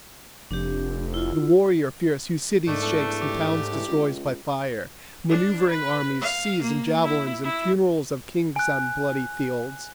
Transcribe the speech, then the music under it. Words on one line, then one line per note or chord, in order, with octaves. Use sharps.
The warrior fierce, Who cities shakes and towns destroys by fire Maneuvering armies sees, and javelins, And funerals of kings and bloody fields.
F1 D4 G4
E4 F4
G#2 D#3 A3 D4
E2 A4
G4
E3
C#2
D4
B4
F5
A#3
E4
E4
G#5 F#6